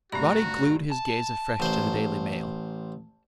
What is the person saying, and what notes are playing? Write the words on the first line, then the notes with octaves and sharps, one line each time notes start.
Roddy glued his gaze afresh to the Daily Mail.
G2 C3 A3 F#4 A#5 B5
A5
A1 C5